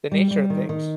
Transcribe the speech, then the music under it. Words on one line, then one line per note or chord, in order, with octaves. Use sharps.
the nature of things.
G3
G3
D#3
D#3